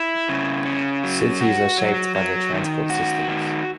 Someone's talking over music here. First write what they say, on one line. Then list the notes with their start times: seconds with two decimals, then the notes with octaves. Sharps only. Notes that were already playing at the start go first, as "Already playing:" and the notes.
Cities are shaped by their transport systems.
Already playing: E4
0.29 C#3
0.65 C#4
1.03 F#3
1.41 F#4
1.78 F#3
2.15 F#3
2.53 D#3
2.90 F#4
3.28 D#3